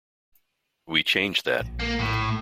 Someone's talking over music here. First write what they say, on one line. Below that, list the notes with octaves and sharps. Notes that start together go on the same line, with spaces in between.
We changed that.
A#1
A#3
A2